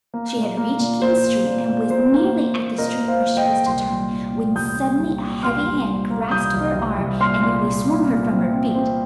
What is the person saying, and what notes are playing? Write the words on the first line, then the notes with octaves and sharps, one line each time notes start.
She had reached King Street and was nearly at the street where she was to turn, when suddenly a heavy hand grasped her arm and nearly swung her from her feet.
A#3
A#2
A#3
A#2
A#3 C5
A#3
A#2
A#2
A#3 C5
A#3
A#3
A#3
A#2 A#4 D#5
A#3
C5 F5
A#3
D#5 G5
A#2
C2 G5 C6
A#2
A#2
A#2
C2 D#6 G6
A#2
C2
A#2
C2 C6 F6
C2
A#2
A#3
C2 D#6 G6
C2
C2
C2
A#2 C6 F6
A#2
A#2
A#2
A#2
C4
C4
C4